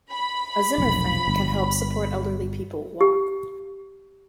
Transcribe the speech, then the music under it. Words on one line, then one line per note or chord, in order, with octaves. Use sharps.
A zimmer-frame can help support elderly people walk.
B5
F1 B1
G1
G4